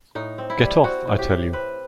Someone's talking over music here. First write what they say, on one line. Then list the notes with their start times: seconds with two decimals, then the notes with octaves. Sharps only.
Get off, I tell you.
0.15 A2 D#4
0.38 C4
0.50 E4
0.61 G3
0.84 C4 F#4
1.07 A2
1.19 G4
1.30 A2
1.53 C4 B4